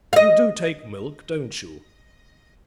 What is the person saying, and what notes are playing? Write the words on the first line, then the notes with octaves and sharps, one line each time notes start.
You do take milk, don't you?
D#5 F5